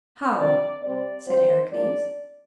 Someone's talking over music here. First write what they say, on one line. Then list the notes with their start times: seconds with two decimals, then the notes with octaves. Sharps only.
"How?" said Heracles.
0.36 F2 C3 G3 D4 D5
0.82 C3 G3 C4 D5
1.26 G2 F3 C4 C5
1.71 A#2 G#3 D4 D5